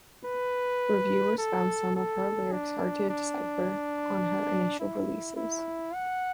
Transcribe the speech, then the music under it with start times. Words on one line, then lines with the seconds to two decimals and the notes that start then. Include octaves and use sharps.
Reviewers found some of her lyrics hard to decipher on her initial releases.
0.25 B4
1.38 A4
1.95 A4
2.52 D4
3.09 D4
4.80 E4
5.36 E4
5.94 F#5